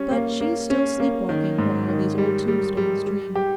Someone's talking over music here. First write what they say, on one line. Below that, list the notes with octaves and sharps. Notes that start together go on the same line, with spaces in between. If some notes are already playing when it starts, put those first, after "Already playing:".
But she's still sleep-walking while these old tombstones dream.
Already playing: G3 C#4
A#3
A#3
C#4
A#3
D#3
G#2
D#3
G3
G3
G3
G3
G4